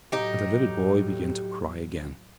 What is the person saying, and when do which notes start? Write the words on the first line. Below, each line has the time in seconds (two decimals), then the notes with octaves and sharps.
And the little boy began to cry again.
0.12 A2 F#3 D#4 G4